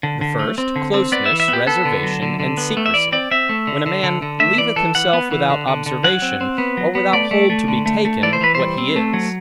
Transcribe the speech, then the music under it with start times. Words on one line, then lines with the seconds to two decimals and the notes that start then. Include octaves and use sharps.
The first, closeness, reservation, and secrecy; when a man leaveth himself without observation, or without hold to be taken, what he is.
0.03 D3
0.21 D3
0.39 A3
0.58 C4
0.76 D3
0.94 C4
1.12 B3 D5
1.26 E3 E5
1.40 E5
1.48 B3
1.53 G4
1.67 B3 A4
1.85 D3
2.03 F#3
2.22 D3
2.40 D3
2.57 B3
2.77 A3
2.86 E5
2.94 E3 D5
3.12 C4 D5
3.31 C4 E5
3.49 A3
3.67 D3
3.86 D3
4.03 D3
4.22 D3
4.40 A3 E5
4.58 E3 D5
4.76 E3 A4
4.95 E3 F#5
5.13 B3
5.31 E3
5.50 D3
5.67 D3
5.86 D3
6.04 F#3 F#5
6.22 C4
6.41 C4
6.58 B3
6.77 F#3
6.95 B3
7.13 A3 D5
7.31 A3
7.50 A3
7.68 D3
7.86 A3
8.05 A3
8.23 E3 D5
8.33 C5
8.41 E3 B4
8.55 G3 C5
8.78 C4
8.96 A3
9.13 F#3